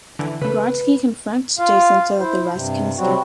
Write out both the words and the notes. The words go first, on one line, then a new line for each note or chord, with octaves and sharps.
Brodski confronts Jason so that the rest can escape.
D3 E3
C#3 A3 B4
F4 F5
E4 C5
G2 C3
C3 F#3 G3 C4 F#4